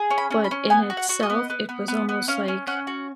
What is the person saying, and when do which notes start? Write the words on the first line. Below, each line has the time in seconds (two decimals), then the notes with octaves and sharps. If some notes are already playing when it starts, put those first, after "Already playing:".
but in itself, it was almost like
Already playing: G#4
0.10 C#4
0.18 B5
0.30 C#4
0.44 B5
0.51 C#4
0.70 B3 G#5
0.90 F#4
0.97 F#5
1.09 F#4
1.23 D#5
1.30 B3
1.50 B3
1.69 B3
1.88 B3
2.09 B3
2.28 C#4 F5
2.48 C#4
2.67 C#4 F#5
2.87 F#4